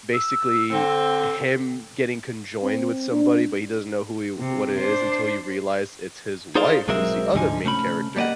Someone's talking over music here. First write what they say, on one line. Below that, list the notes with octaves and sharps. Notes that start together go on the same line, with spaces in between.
basically, him getting conjoined with somebody, but he doesn't know who he what it is until he realized it's his wife who's the other main character.
E6
D3 C4
C4
D4
C3
D4 C5
D#4 G#4 A4 C5 D5 F5
B1 F#3 G#3 C4 A#4 E5
D2 G#2 D3 F3 D#4 G#5
C3 A3 C#4 B5
G3 A#3 D5 D#5 F#5